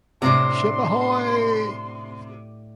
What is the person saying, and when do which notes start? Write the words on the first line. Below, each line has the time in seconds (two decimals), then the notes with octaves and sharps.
Ship Ahoy!
0.22 A2 C3 D4 A#5 C6